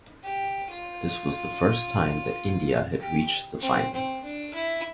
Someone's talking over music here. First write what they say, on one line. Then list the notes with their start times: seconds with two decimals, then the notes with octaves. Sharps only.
This was the first time that India had reached the final.
0.23 G4
0.70 F4
3.01 G4
3.62 C4
3.93 C4
4.24 D4
4.54 E4